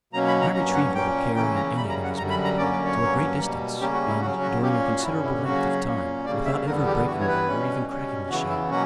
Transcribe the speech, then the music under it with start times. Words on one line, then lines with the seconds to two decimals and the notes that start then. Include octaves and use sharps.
My retriever will carry an egg in his mouth to a great distance, and during a considerable length of time, without ever breaking or even cracking the shell.
0.13 B2 F#3 A#3 C#4 A#5
0.27 B5
0.41 A#5
0.54 G2 F#3 A#3 C#4 A#5
0.74 F#5
0.95 A#2 A#3 C#4 G5
1.35 C#3 E3 A#3 C#4 G5
1.55 A#5
1.76 F#2 C#3 G3 B5
1.89 A#5
2.04 F#5
2.17 F#2 D3 G3 A#5
2.30 B5
2.44 A#5
2.57 F#2 D3 A#3 C#4 D5
2.72 D5
2.85 C#5
2.98 G2 F#3 A#3 C#4
3.39 B2 G3 A#3
3.80 C#3 G3 A#3 C#4 G4
3.93 F#4
4.08 E4
4.20 C#3 F#3 C#4 F#4
4.41 F#4
4.62 A#2 A#3 C#4 G4
4.99 F#4
5.02 G2 D3 G3 C#4 E4
5.24 E4
5.43 C#3 F#3 A#3 C#4 F#4
5.84 A#2 A#3 C#4
6.25 C#3 G3 A#3 D5
6.45 E5
6.66 E2 D3 G3 B3 A#4
6.86 G4
7.06 G2 E3 B3 F#4
7.20 C#5
7.27 B4
7.47 B2 G3 C#4
7.89 B2 G3 C#4
8.29 C#3 E3 B3 F#4
8.49 E4
8.70 B2 F#3 A#3 C#4 F#4